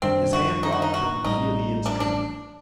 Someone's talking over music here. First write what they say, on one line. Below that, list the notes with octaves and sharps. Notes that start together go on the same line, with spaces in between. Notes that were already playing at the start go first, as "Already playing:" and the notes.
His hand dropped from the key of the instrument.
F#2 D#3 G3 C4 D4
F#4
D#4
F#4
D#4
F#4
A1 A2 G3 D#4
D4
D4